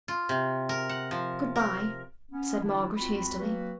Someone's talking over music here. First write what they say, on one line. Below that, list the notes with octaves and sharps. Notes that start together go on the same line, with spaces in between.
'Good-bye!' said Margaret, hastily.
F4
C3
A#4
F#5
F3
A#4
B3 C#4
D3 E3 D4 E4
C#2 C4 F4 F#4 B5
F#3 A#3 C4 F#4 B4